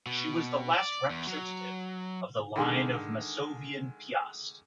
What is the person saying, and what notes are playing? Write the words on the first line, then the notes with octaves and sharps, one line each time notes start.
She was the last representative of the line of Masovian-Piast.
B2
D5
E2
F#3
D3 D#3 G#3